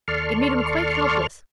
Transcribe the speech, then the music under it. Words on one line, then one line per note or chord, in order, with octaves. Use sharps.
It made him quite helpless.
D#2 A4 D5 C6 C#6 F6